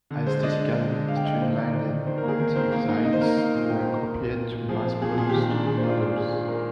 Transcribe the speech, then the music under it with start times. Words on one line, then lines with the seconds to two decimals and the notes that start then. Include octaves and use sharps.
Aesthetically streamlined designs were copied to mass-produced models.
0.11 D3
0.26 G#3 C5
0.43 D4 D#5
0.59 D4
0.76 G#3
0.92 D3
1.08 D3 F5
1.17 G5
1.25 D3 D#5
1.33 D5
1.41 D#4 C5
1.57 D#3 D5
1.74 D#3 C5
1.91 D#3
2.06 D#3 C5
2.18 A#4
2.23 A#3
2.28 G#4
2.40 D#3 A#4
2.55 D#3 C5
2.72 A#3
2.89 D#4
3.05 D#4 D#5
3.13 C5
3.21 A#3 A#4
3.38 A#3 F5
3.55 A#2
3.70 D#4 G5
3.81 C5
3.87 D#4
3.92 A#4
4.03 A#2 A#4
4.20 A#2
4.36 A#2
4.52 A#2
4.69 F3 G#4
4.85 C4
5.01 A#2 G#4
5.17 A#2 G#4
5.29 G4
5.34 D#3 G#4
5.50 D4
5.67 D#3 G#4
5.78 C5
5.83 F4
5.89 D5
6.00 F4 C5
6.16 D4 G#4
6.32 F4 G#4
6.48 G#3 A#4